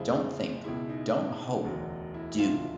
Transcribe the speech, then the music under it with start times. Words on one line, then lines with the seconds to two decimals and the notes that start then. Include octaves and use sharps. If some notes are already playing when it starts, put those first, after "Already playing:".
Don't think, don't hope, do!
Already playing: F2 C#3 F3 G#3 E4
0.64 C#2 B2 G#3 E4
0.89 D#4
1.64 E1 D2 D3 F#3
2.14 E4
2.40 F4